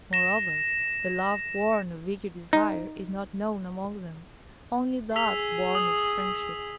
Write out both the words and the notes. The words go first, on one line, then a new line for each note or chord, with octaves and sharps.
Moreover, the love born of eager desire is not known among them; only that born of friendship.
A#6 E7
D#4
G#4 E6 B6 F7
D#6